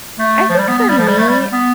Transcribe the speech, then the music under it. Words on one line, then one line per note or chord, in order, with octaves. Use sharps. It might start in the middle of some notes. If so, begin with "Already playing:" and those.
I think for me,
A3
F3
G3
B3
B3
G3
F3
G3
A3
G3
B3